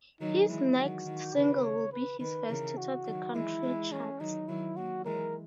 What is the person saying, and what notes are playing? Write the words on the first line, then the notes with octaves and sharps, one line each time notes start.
His next single would be his first to top the country charts.
D#3 F#3 D#4
E3 G#3 E4
D#3 F#3 F#4
D#3
C#3 B4
C#5
B4
D#3 B4
C#3 E3 A#4
F#4
D#3 F#3
E3 G#3 E4
E3 G#3
E3 G#3 C#4
D#3 F#3 D#4
D#3 F#3 E4
F#3 A#3 F#4
E3 G#3 A#4